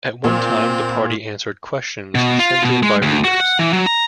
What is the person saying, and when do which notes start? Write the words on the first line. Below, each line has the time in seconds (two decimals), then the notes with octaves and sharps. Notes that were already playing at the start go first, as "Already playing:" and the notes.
At one time, the party answered questions sent in by readers.
0.24 A#2 C4
2.15 B2
2.39 F4
2.62 B2
2.83 G#3
3.02 D2
3.24 F#4
3.40 F#5
3.59 E3
3.73 F#3
3.86 A#5